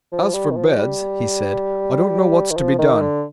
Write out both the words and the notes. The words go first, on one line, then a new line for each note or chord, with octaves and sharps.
As for beds', he said, 'I don't know what's to be done.
F3
G3
D#3
F3
G3
D#3
F3
D#3
D3